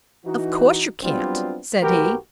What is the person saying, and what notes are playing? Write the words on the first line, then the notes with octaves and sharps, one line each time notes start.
"Of course you can't," said he.
E3 D#4 F#4
F#3 G3 B3 C4 D4 F4
B1 A3 F#4 G4 A#4 B4